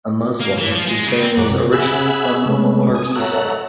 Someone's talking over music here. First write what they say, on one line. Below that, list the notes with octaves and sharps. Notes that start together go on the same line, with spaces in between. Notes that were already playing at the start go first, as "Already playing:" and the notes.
A Muslim, his family is originally from Hargeisa.
A#3
E3
F3
G#3
C#3
C4
F#2 G#3 C#5 F#5 A#5 D6
C3
G#4 E5 F#5 G#5 B5 E6
C3 G#3 A3 B3 C#4
G#5 D#6
A4 C#5 E5 F#5 A#5